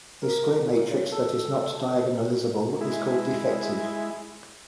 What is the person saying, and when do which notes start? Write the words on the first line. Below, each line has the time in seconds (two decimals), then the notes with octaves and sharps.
A square matrix that is not diagonalizable is called defective.
0.22 A#4
0.66 A#2
0.90 C#3
1.12 A4
2.81 G#3 E4